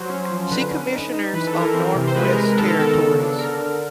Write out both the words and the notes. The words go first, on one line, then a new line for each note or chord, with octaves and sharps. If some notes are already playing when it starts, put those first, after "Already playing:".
See Commissioners of Northwest Territories.
Already playing: F#3 C5
C#4
F3
D3 B4
C#4
D#4
D#4
E3 B4
A4
E3
A#4
C4
C3
C5
G#3 B4
A#4
G#3
D#3 A4
A#4
B3 A4
C#3
D4
D3 A#4
D3